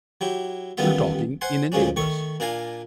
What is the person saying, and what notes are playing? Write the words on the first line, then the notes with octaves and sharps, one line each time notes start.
"You're talking in enigmas."
F#3 E4 G4
A1 D#3 G3 B3 F4 E5
C5 F#5 G#5 C6
D2 A#2 F3 G#3 C#4 D4
D#3 A3 C#6
A#2 D4 A#4 F5 G#5